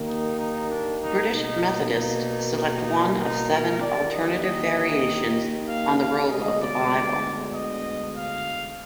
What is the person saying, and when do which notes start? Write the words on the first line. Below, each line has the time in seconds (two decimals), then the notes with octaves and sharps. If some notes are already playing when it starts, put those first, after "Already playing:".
British Methodists select one of seven alternative variations on the role of the Bible.
Already playing: D#2 D#3 A#3
0.09 D#4
0.39 D#4
0.71 D4
1.03 D#4
1.33 B2 A#3 D#4
1.95 D#4
2.58 D#4
3.20 D#4
3.51 A#4
3.82 D#2 D#3 A#3 D5
4.13 D#5
4.44 D#5
5.69 F5
5.99 F5
6.30 D2 D3 G#3 B3 D#5
6.61 D5
7.54 D#5
8.16 F5